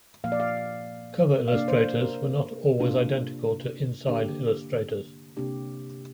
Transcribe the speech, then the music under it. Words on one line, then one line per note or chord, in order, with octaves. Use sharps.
Cover illustrators were not always identical to inside illustrators.
A#2 F3 A#3 F5
D5
F5
F5
C3 A#3 D4 D5
C5
A#4
C3 A#3 D4 F4
D3 A#3 D4 G4
C3 A#3 D4 G4